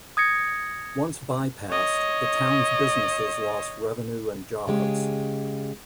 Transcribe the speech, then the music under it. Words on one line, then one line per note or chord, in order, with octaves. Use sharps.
Once bypassed, the town's businesses lost revenue and jobs.
D#6 G#6 A#6 C#7
C#5 D#5
C#3 G#3 G4